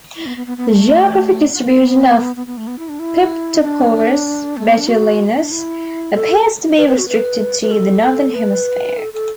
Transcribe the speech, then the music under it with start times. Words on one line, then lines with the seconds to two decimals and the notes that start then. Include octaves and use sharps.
The geographic distribution of "Piptoporus betulinus" appears to be restricted to the Northern Hemisphere.
0.16 E4
0.26 B3
0.37 B3
0.47 B3
0.57 B3
0.69 A3
1.74 B3
2.36 B3
2.47 B3
2.57 A3
2.67 B3
2.79 E4
2.89 D4
2.99 E4
3.62 D4
4.57 A3
4.67 B3
4.78 D4
4.88 F#4
5.36 D4
5.51 E4
6.14 A4
6.78 B4
6.88 B4
6.98 F#4
7.09 B4
7.62 B4
7.71 A4
8.34 B4
8.98 A4
9.13 A4